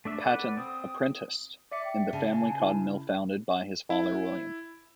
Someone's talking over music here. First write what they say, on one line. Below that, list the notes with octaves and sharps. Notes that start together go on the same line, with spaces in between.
Patton apprenticed in the family cotton mill founded by his father William.
A3 D4 E5
A4 B4 D5 F#5
C4 D#6
D5 E5 D6 C#7
G5
C#3 A5
G#5
E4
E4